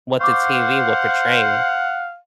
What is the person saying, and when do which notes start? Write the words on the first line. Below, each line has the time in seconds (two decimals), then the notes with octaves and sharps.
what the TV would portray.
0.20 C5 F5 F#5 C#6 D6